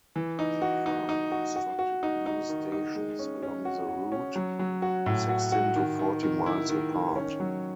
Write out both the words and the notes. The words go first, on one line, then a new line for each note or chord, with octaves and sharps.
The firm constructed new stations along the route, sixteen to forty miles apart.
E3
D#4
F#4
D#4
D#4
F#4
F#4
F#4
D#4
D#4
D#3
D#4
G#3
C#4
C#4
F#4
F#4
C#4
F#3
F#3
F#4
A2
F#4
F#4
D#3
D#3
D#3
E4
D#3
D#3
C#4
F#3